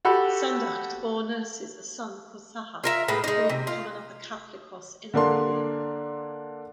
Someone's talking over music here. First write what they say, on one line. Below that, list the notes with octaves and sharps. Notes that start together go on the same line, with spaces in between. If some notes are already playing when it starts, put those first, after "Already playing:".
Sanducht bore Nerses a son called Sahak, who would become another Catholicos in Armenia.
F#4 G4 A4 F#5 B5
F4 A#4 E5
A2 G#3 B4
G#3 D#4
C3
F4
D3 A#3 D4 C6